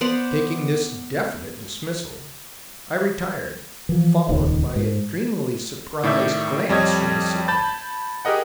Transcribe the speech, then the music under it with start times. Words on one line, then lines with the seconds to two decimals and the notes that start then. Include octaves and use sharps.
Taking this definite dismissal, I retired, followed by a dreamily surprised glance from the sick man.
0.01 B3 C5 D5 F#5
3.89 E3 F3
4.29 D#1 C#2 D#3
4.76 G#2
6.03 A2 D#3 D5 E5 G6
6.69 F2 G3 C#5 D#5 G#6
7.48 A5 B5 G6 A6
8.25 G4 G#4 A#4 D#5 F#5